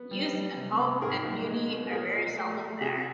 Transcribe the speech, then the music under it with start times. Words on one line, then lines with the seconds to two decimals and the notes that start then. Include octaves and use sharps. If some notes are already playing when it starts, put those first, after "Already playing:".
Youth, and hope, and beauty are very seldom there.
Already playing: B3
0.11 G3
0.33 G3
0.57 C3
0.79 C3
1.01 G#2 G#4 A#4
1.24 A#1
1.46 G#3
1.69 B2
1.91 A#2 G#4 A#4
2.14 A#2
2.36 A3
2.58 A3
2.81 C3 F#4 G#4